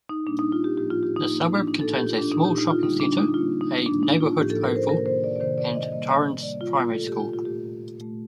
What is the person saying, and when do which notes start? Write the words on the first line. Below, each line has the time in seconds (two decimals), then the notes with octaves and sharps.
The suburb contains a small shopping centre, a neighbourhood oval, and Torrens Primary School.
0.09 D#4
0.26 A#2 G3 A#3 D4
0.39 D#4
0.52 F4
0.64 G4
0.77 A2 F3 A#3 G4
0.90 F4
1.03 G4
1.16 D#4
1.29 A2 F3 A#3
1.42 D#4
1.55 D4
1.68 D#4
1.80 A#2 A4
1.84 A3
1.93 G4
2.07 F4
2.19 D4
2.32 A#2 A3 D#4
2.45 G4
2.58 D#4
2.70 F4
2.83 D3 G3 A#3 D#4
3.00 D4
3.18 D#4
3.34 D3 G3 A#3 F4
3.61 D#4
3.86 A2 F3 A#3 D4
4.03 D#4
4.20 F4
4.37 A2 F3 A#3 G4
4.50 A4
4.64 A#4
4.76 C5
4.89 C3 D#3 A#3 A#4
5.06 C5
5.24 D5
5.36 D5
5.40 C3 D#3 A#3 C5
5.58 D5
5.75 D#5
5.91 C3 G3 A#3 D#5
6.42 C3 G3 A#3 D5
6.61 F4
6.77 F4
6.94 A3 A4
6.98 A#2
7.07 G4
7.20 F4
7.33 F4
7.45 A#2 A3 G4
7.98 A#2 A3